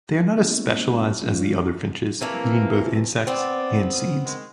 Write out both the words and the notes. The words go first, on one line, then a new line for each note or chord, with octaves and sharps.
They are not as specialised as the other finches, eating both insects and seeds.
F#3
G3 G#3 A#3 B3 C#4 E4
F3 G#3 C#4 D4 F4
C3 E3 A3 A#3
B3 C4 D5
F2 C#4 D#6
D#3 G#3